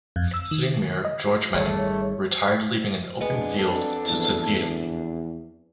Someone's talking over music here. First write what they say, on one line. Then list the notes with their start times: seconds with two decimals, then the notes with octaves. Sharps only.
Sitting mayor George Manning retired leaving an open field to succeed him.
0.16 F2
0.34 E6
0.51 D#3
1.05 D#5
1.54 G#1 G3 A3 C#5
3.21 F2 G#3 B3 D4
3.59 A4
4.07 E2